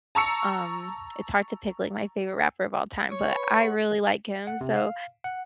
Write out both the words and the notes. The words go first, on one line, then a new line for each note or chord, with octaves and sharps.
Um, it's hard to pick, like, my favorite rapper of all time, but I really like him, so
A5 A#5 C#6 E6 C#7
C#5
B4 B5
G#4 F#5
F#5
C3
F5
F#5